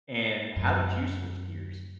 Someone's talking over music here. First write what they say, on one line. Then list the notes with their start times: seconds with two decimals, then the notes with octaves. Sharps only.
and how did you switch gears?
0.56 F#2